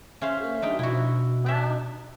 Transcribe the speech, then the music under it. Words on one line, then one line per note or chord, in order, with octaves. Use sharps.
Ooh, well,
C#4 C5 E5 F5
D4 D#4 G5
B2 E4 F#4
G4 E5